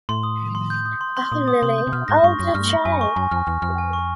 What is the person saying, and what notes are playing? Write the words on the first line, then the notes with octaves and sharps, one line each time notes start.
O Lilly, I do try!
A2 C6
D#6
C6
C6
G6
D#6
C6
C6
A#2 D#6
D#6
C3 C6
G6
C3
B2 F6
G#2 A#6
G2 C#6
F#2 A#6
G2 F6
A#6
F#2 G#5
C#6
F#2 G#5
F2 F6
E2 F6
F2 F6
G#5
C#6